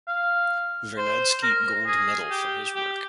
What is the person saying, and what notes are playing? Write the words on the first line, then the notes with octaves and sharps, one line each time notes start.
Vernadsky Gold Medal for his work.
F5
C5
A#4
G#4
G4
G4